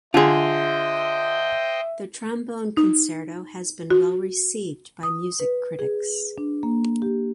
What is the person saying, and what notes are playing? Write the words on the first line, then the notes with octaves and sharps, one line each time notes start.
The Trombone Concerto has been well received by music critics.
D3 F4 G#4 C5 D#5 E5 G5
D#4
F#4
D#6
B4
G#4
D4
A#3
G4